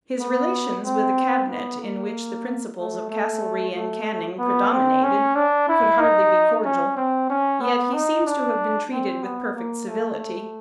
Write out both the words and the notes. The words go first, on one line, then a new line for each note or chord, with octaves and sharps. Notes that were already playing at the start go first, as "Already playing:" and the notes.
His relations with a cabinet in which the principles of Castlereagh and Canning predominated could hardly be cordial, yet he seems to have been treated with perfect civility.
B3
C4
B3
A#3
A3
A3
A3
B3
C4
C#4
D4
E4
D#4
C#4
C4
C#4
B3
D#4
D4
C4
B3
A#3
A3
A3